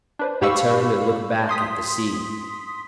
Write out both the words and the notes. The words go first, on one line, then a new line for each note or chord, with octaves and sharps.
I turned and looked back at the sea.
D4 B4 C5
G#2 G4 F5 B5 C#6 E6
C6 D#6 B6